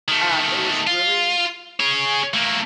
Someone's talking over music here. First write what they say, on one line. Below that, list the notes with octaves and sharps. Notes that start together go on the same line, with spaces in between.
um, it was really f
D#3 A3
F4
G#4 C#5
A3 A#3